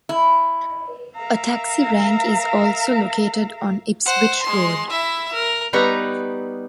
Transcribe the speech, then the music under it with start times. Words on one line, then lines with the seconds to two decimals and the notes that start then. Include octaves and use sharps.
A taxi rank is also located on Ipswich Road.
0.09 E4
1.16 A#4 E5 F5 A#5
4.05 C5 F#5
4.43 G#3 C6
4.90 E4 E5
5.33 A#4
5.73 G3 B3 D#4 B4 C#5 A#5